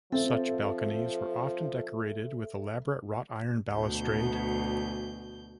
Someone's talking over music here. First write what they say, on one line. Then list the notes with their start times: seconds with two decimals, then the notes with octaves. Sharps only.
Such balconies were often decorated with elaborate wrought iron balustrade.
0.12 F3 C4 A4 E5
3.72 D2 B2 G6